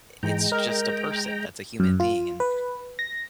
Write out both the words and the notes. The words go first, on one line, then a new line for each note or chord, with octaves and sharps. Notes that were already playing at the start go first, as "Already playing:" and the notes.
it's just a person, that's a human being. And
G#2 E3 G#3 G5 A#5
A#4 D#5
F#2
F4
B4
A#6